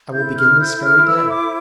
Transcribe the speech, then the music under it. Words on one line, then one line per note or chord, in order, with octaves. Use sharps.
I will begin this very day.
E4 A4 C5 G6
F6
G6
F6
E6
D6